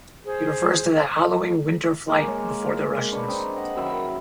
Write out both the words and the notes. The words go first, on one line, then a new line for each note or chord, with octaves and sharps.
He refers to the hallowing winter flight before the Russians.
G#4 C5
G#3 A#3 C#5
C#5 G#5
D4 B4 C#6 D6
C4 D4 D#4
D#5 F#5
F#2 D#3 E5 B5